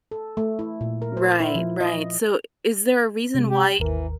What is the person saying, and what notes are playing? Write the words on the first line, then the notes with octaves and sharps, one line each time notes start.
Right, right, so is there a reason why
A4
A3
E4
A#2
A#4
C5
E4
F3
D#5
C3 G#3
G4
G#1 D#2 E3 A#4